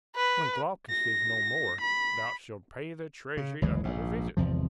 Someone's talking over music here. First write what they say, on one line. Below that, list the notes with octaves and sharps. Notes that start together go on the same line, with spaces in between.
When Glaucus is no more, thou shalt pay the treasury another visit.
B4
A#6
B5
C#3
F#1 D2 E3 G#3
A#1 G#2
G#1 E2 C3 F3